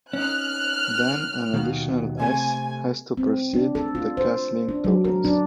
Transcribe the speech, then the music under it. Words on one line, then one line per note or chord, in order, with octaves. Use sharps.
Then an additional "s" has to precede the castling tokens.
C#4 D#4 F6 F#6
D#2 B2 D#3
C3 A3 G#5
C4
D4
A4
F4
C5
D4
F#3
A#4
D4